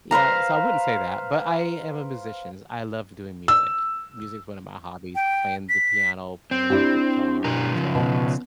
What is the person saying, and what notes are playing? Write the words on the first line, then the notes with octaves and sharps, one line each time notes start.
yeah, so I wouldn't say that, but I am a musicians, I love doing music. Music is one of my hobbies, playing the piano, playing the guitar, drums,
B4 C5 F5 A#5
E6
G5
B6
C4
D4 E4 G4
G2 B2 A#4
C#3 F3
B2